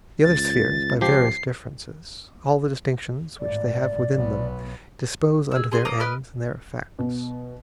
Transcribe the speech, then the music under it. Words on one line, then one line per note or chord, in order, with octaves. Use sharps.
The other spheres, by various differences, All the distinctions which they have within them Dispose unto their ends and their effects.
C#2 A6
F3 G4 C7
G#1 A2 D5
B1 B3
G#4 E6
G#4 C6
A#3 D#6
A#4 B4 D#5 F6
B2